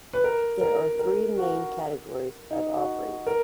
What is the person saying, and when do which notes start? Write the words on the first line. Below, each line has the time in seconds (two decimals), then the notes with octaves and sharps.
There are three main categories of offerings.
0.13 B4
0.24 A#4
0.61 A#4
0.99 A#4
1.37 F#4
2.51 D#4
2.76 F#4
3.27 A#4